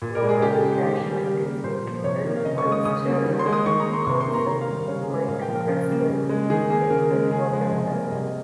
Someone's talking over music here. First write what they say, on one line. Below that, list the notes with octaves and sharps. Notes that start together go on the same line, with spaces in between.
Notable casualties included Vice-Chairman of the Council Mike Creswell, in Bridgwater Fairfax.
A#2
A#4
G#3
G#4
C#3 G4
G#3
D#3 G4
G4
G3 A#3
G#4
C#3 A#4
G3 A#3
A#2 C5
F3 A#3
C3 C#5
D#3 A#3
F5
C#3 D#5
C#6
G#3
D#6
C#3 D#6
G3 A#3
D#3
C6
G#3
D#6
D#3 C#6
A#5
A#3
C6
C3 C#6
C6
D#3 A#3
A#5
D#3 A#5
F5
G3 A#3
C5
C#3 C#5
G#4
G#3
A#4
A#2 F5
G5
F3 A#3
A#4
C#3
G3 A#3
C#3
G#3
D#3 G#4
A#3 G#4
C#3 A#4
G#3
C#3 G#4
F3 G#3
C3
G#4
G3 A#3 A#4
C3 D#5